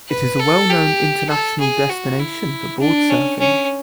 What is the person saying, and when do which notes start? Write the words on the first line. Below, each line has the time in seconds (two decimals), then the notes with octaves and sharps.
It is a well-known international destination for board-surfing.
0.09 B4
0.39 A4
0.70 G4
1.29 A4
1.60 G#4
1.90 F#4
2.19 E4
2.80 D4
3.10 C#4
3.39 C#4